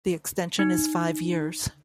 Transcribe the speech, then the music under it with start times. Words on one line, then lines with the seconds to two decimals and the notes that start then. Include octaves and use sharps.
The extension is five years.
0.59 D#4